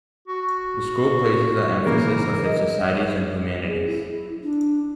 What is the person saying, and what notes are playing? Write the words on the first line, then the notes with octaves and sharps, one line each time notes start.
The school places an emphasis of its societies on humanities.
F#4
C#3 E3 A#3 A#4
D#5
G#4
E4
D4